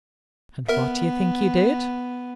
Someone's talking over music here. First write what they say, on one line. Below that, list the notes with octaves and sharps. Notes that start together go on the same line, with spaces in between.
And what do you think he did?
B3 A#4 E5